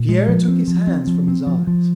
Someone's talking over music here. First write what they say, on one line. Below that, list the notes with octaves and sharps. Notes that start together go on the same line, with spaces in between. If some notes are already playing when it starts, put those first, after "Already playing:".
Pierre took his hands from his eyes.
Already playing: A#2
G#3
F3
C4
F3
C4
F3
C4
F3
F3